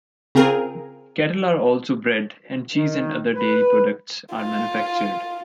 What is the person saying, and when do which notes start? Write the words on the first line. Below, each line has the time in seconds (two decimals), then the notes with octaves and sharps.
Cattle are also bred and cheese and other dairy products are manufactured.
0.35 C#3 C4 F4 G#4 A#4
2.75 D#3
3.36 B4
4.34 F4